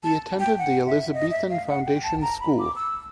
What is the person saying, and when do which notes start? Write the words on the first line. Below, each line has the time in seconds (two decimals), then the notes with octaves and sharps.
He attended the Elizabethan Foundation School.
0.04 A5
0.40 G5
0.58 F#5
0.86 E5
1.13 D#5
1.31 E5
1.50 F5
1.68 F#5
1.86 G5
2.03 A5
2.21 A#5
2.40 B5
2.59 D6
2.76 E6